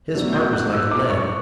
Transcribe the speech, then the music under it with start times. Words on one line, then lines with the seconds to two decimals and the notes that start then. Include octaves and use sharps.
His heart was like lead.
0.14 B2 F#3 A3 D4
0.33 G6
0.53 F#6
0.72 E6
0.91 D6
1.10 C#6